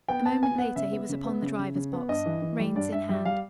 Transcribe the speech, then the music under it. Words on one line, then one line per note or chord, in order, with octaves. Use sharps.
A moment later he was upon the driver's box, reins in hand.
B3 G5
B3 A5
B3 G#5
B3 F#5
C#3 E5
B3
C#3
B3
C#3
C#3
C#3
B3
G2 D#5
E3
E3
G3
G2 D5
G2 E5
G3 E5
G3 F5